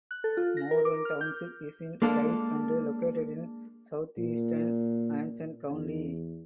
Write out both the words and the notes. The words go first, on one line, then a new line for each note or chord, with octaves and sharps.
Morven Township is in size and located in southeastern Anson County.
F#6
A4
F4
A#6
A#4
D6
F6
G6
G#3 A#3 D4 A4
A#2
E2